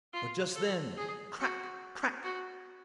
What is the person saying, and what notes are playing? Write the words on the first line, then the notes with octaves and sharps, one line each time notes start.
But just then--crack! crack!
F4
A4
G#4
F#4
F#4